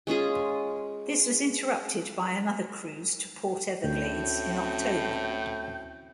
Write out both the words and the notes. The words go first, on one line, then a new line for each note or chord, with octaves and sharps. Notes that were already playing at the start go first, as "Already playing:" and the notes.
This was interrupted by another cruise to Port Everglades in October.
G#3 C#4 F4 G#4
D2 A2 C4 C#4 F#4 G5